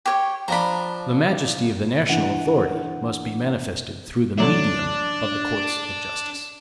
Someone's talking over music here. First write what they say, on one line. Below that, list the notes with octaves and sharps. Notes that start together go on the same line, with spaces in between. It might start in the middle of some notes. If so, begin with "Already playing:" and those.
The majesty of the national authority must be manifested through the medium of the courts of justice.
G4 C#5
F3 D4 D5 A#5 B5
E3 D4 E4 F#5
D3 F#3 A3 D4 D5